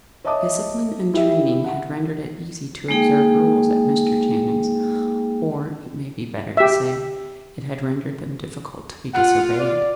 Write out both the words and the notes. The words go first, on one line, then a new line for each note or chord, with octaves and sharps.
Discipline and training had rendered it easy to observe rules at Mr. Channing's; or, it may be better to say, it had rendered them difficult to be disobeyed.
C#5 D#5 E5 A5 D6 D#6
E4 G4 E5
F#5
G#3 A#3 D#4 G#4 G5
G4 E5
F4 F#5
D5